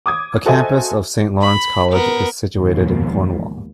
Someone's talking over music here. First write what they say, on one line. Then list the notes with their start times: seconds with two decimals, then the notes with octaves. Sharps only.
A campus of St. Lawrence College is situated in Cornwall.
0.06 D6 D#6 G#6
0.46 F#4 A4 C5 D#5 E5 G#5
1.41 B5
1.92 B3 A#4
2.58 D#2 G#2 B2 F3